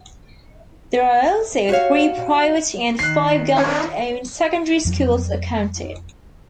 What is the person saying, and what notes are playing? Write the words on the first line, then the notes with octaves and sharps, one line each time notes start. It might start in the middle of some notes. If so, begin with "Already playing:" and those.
There are also three private and five government-owned secondary schools accounted.
F#4 G4 C#5 F5
D#3 F#6 C7
F2 F3 F#3